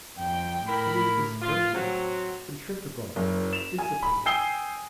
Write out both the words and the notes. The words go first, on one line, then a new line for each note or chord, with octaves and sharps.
It is dispersive, centrifugal, dissipating.
F2 G5
A2 E4 A#4 B5
F4
F#3 C4
F#1
E7 F7
G#5
B5
G5 G#5 D#6 E6 C7 G7